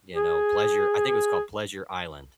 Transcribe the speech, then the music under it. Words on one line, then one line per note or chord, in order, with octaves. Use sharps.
you know, Pleasure I think it was called Pleasure Island.
G#4
G#4